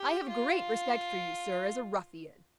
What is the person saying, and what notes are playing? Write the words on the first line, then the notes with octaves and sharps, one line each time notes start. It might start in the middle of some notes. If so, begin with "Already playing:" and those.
I have great respect for you, sir, as a ruffian.
Already playing: G4
F4